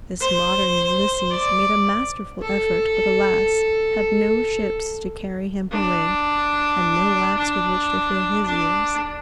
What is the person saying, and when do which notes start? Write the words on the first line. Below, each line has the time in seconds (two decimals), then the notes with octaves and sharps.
This modern Ulysses made a masterful effort, but alas! had no ships to carry him away, and no wax with which to fill his ears.
0.21 C5
1.30 D5
2.41 A4
5.70 D4
7.36 D4
8.46 D4